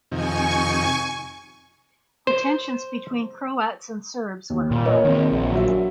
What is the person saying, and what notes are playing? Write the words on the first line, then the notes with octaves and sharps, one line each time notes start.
The tensions between Croats and Serbs were high.
F2 C3 D#3 G#5 C#6
C5
D#2
A#2
A#3 C#5 D#5
D#3 C4
A#1
F#3 E5